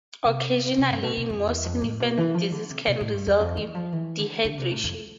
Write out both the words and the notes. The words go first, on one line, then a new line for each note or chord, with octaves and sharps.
Occasionally more significant disease can result in dehydration.
C3
C3
G2
B2
B2
F2
E2
F2
A2
B2
E3
F3
D3
C3
B2
A2
G2
E2
F2
E3
F3
E3
D3
D3
C3
A2
F2